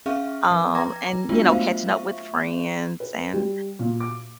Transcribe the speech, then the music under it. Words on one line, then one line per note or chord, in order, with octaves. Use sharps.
Um, and, you know, catching up with friends and,
C#4 G#4 E5 F5 C#6 F6
F3
B4 G5 A#5 D6 G#6 A#6
F#3 G#3 B3 D4 F4 F#4
A3 F4 C5 E5 F5
A3 E5 C#6
B4
G3
A#2
D6